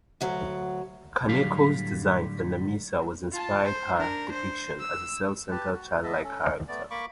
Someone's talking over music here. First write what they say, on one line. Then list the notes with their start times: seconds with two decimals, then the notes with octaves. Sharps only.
Kaneko's design for Nemissa was inspired her depiction as a self-centered childlike character.
0.21 D2 F#3
1.27 A2 D3 F#3 G3 G4 F5
3.32 F4 A5
3.64 C5
3.97 D4 A#4
4.32 C5
4.80 E6
5.51 G4 B4 A5
5.72 F#4
6.03 B3 D#5 E5 A5
6.24 C#4 A4
6.68 A3 B3 D5
6.90 A#3 B5 C#6 D6